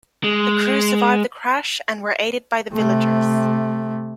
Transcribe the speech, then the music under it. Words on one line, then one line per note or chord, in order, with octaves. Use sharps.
The crew survived the crash and were aided by the villagers.
G#3
C3 A3